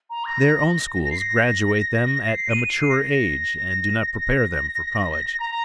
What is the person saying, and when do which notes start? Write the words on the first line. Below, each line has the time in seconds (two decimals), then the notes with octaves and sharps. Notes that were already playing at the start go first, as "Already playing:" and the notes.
Their own schools graduate them at a mature age and do not prepare them for college.
0.10 A#5
0.25 A#6
1.03 A#6
1.10 C7
1.18 A#6
2.28 C7
2.49 D#7
2.70 C7
2.90 A#6
4.15 A#6
5.40 A#5